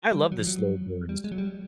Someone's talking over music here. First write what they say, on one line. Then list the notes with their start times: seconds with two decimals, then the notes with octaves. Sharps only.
I love the slow burns.
0.12 G3
0.32 F#3
0.39 F3
0.47 F#3
1.09 G3
1.24 G#3
1.32 F#3
1.38 G3